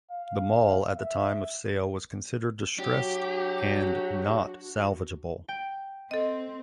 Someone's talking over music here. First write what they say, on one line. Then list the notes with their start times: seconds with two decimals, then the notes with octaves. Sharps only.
The mall at the time of sale was considered distressed and not salvageable.
0.11 F5
0.97 E5
2.80 F#3 D4 F#4 G4
5.48 G5
6.11 C4 A4 D#5